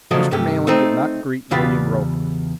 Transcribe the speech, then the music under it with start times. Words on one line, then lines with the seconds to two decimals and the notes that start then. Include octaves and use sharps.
Mr. Manley did not greet William Roper.
0.11 C#3 F3 F#3 A3 D5 D#5
0.31 G2 C3 A3 G4
0.67 A3 C4 D#4
1.51 E2 C#3 F4 G4 B4 D5